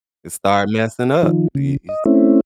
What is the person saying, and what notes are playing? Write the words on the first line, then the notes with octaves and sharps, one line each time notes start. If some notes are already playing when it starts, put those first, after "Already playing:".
and started messing up. Y yes,
D#3 F3
C#3
D#5
A3 C4 C#4 E4